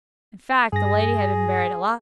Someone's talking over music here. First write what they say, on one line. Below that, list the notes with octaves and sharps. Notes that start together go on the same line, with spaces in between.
In fact, the lady had been buried alive.
G2 G#4 A#6